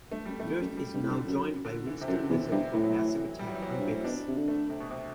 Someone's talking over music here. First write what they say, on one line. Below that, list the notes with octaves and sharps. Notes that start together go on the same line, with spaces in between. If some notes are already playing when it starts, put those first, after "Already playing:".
Dirth is now joined by Winston Blissett from Massive Attack on bass.
G2 A3
F#2 G3
E2 A3
F#2
F#2 G3
G2
A2
G2 D3
F#2
D3
E3
C3
F#2 D3
E2 C3
G2 C3
A2 E3
F#3
E3
G3
F#3
E3
F#3
C4
G2
A2
B2 D4
C3
D3
A3
C3
B2
C3